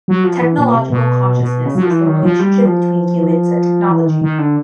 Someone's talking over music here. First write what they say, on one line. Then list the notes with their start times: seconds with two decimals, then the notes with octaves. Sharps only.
Technological consciousness is the relationship between humans and technology.
0.08 F#3
0.24 F3
0.41 E3
0.58 A#2
0.74 C3
0.90 B2
1.40 B2
1.65 C#3
1.75 F#3
1.82 F3
1.90 E3
2.07 D#3
2.23 F3
2.39 G3
2.65 F3
3.89 E3
4.06 D#3
4.22 D#3
4.39 D3